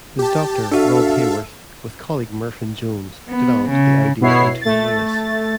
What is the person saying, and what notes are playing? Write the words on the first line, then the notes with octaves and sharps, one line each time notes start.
His doctor, Rob Haworth, with colleague Merfyn Jones developed the idea into a race.
G4 A5
D4 F#4 A4 E5 F5
B3
C#3
B2 B3 E4 C#5 C7
A3 A6